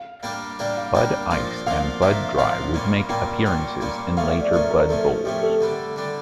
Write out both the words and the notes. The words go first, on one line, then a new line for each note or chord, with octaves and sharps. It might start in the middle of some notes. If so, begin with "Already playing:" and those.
Bud Ice and Bud Dry would make appearances in later Bud Bowls.
Already playing: F5
G3 A#3 D4 G4 A#4
G3 A#3 D4 G4 A#4 D5
F5
G3 A#3 D4 G4 A#4 G5
A#2 F3 A#3 D4 F4
A#2 F3 A#3 D4 F4 F5
A#2 F3 A#3 D4 F4 E5
A#2 F3 A#3 D4 F4 F5
A#2 G3 A#3 C#4
A#2 G3 A#3 C#4 G5
A#2 G3 A#3 C#4 G5
A#2 G3 A#3 C#4
F3 A3 C#4 F5
E5
D5
F3 A3 C#4 A#4
A#4
F3 A3 C#4 A4
F3 A3 C#4 G4
A4
D3 G3 D4
D3 G3 D4